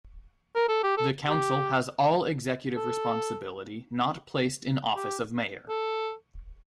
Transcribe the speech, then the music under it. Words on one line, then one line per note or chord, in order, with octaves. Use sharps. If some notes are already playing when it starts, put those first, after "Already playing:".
The Council has all executive responsibility not placed in office of mayor.
A#4
A4
G4
A4
G4
A4
G4
A4